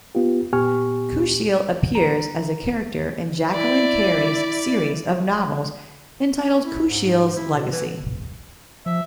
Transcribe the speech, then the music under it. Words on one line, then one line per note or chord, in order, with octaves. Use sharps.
Kushiel appears as a character in Jacqueline Carey's series of novels entitled Kushiel's Legacy.
B3 F4 G4
A#2 B3 G4 G#5 C#6 F6
A#5
E4 D5
D4
E4
G#2
E4
B2
E3
F3 E5